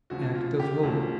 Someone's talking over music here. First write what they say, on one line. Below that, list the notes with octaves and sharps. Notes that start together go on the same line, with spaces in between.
Act of Hope.
D2 C#3 F3 F#4
F4
G4
D2 C#3 F3 F#4